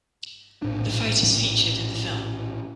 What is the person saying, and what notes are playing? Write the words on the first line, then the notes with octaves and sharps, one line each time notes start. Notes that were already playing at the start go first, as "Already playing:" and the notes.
The fight is featured in the film.
A#1 A2 D4